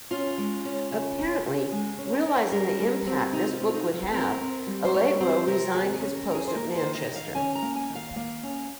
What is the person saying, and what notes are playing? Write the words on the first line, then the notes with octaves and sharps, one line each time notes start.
Apparently realising the impact this book would have, Allegro resigned his post at Manchester.
C#4 F4
G#3
C#4
C#3
C#4
C#3
G#3 G#4
C#4
A#4
C#4
G3 A#4
G3
C4
C3 D#4
F4
C4
F4
D#4
C3
F4
C4 A#4
C4
G3
C5
G3 C#5
C4 C5
C3 A#4
D#2 G#4
G#4
C#4
A#4
D#2 A#4
G#4
C5
A#3 A#4
C5
D#3
D#5
D#3
F5
C#4 G#5
A#5
A#3
G#5
D#3
F5
A#3
C#4